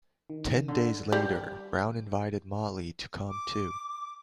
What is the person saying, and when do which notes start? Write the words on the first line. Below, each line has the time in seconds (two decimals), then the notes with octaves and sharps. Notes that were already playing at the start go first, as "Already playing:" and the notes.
Ten days later, Brown invited Motley to come, too.
0.30 D#3
0.68 D3
1.12 G3
3.29 D6